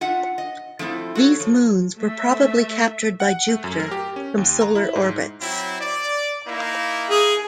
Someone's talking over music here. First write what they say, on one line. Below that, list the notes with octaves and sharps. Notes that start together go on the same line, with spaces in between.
These moons were probably captured by Jupiter from solar orbits.
F4 E5 F#5
D#5
F3 A3 C4 E4
F#4 A4 C#5
F3
A3 E5
F#5
A3
F#2
A#4
G4
C#4
D#2
A#5
E4
G#2
F#3 C4 E4
D5
A#3 D#4 E4
G#4